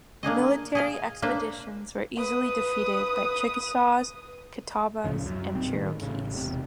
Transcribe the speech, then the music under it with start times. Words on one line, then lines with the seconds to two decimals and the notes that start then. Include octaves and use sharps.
Military expeditions were easily defeated by Chickasaws, Catawbas, and Cherokees.
0.23 A#3 D4 G#4 D#5
0.75 G#4 D#5 F5
1.22 A#3 D4 B4 C5
2.16 B4 D#6
5.04 D2 A2 C#3 F3
5.26 F#2
5.55 D#1 B1 G2 C4
5.73 A2 D#3
6.02 A1 A2 C#3
6.35 E1 C3